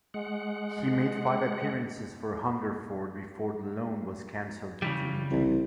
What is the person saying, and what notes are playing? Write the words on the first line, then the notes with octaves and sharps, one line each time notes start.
He made five appearances for Hungerford before the loan was cancelled due to injury.
G#3 F#5
C#3 E3 G3
C2